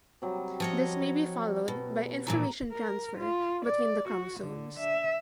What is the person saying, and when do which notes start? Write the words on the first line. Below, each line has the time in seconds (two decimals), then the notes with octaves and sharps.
This may be followed by information transfer between the chromosomes.
0.22 C3 F#3 G3
0.60 F3 C#5 D#5
1.68 B2
2.27 A#2 E3 F3 A#5
2.73 A#4
3.18 F4
3.65 D5
4.09 F#4
4.40 D3
4.80 E5